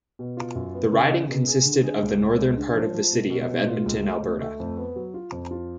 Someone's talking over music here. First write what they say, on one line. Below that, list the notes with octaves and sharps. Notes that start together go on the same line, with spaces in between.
The riding consisted of the northern part of the city of Edmonton, Alberta.
B2
F4
F#2
B3
C#3
C#3
B2
G#4
D3
G#4
C#2
C#2
C#2
D4
F3
F3
B2
B2
B2
F4
C#2
A3
D2
A3
F2
B3
F#3
F4
F2
F4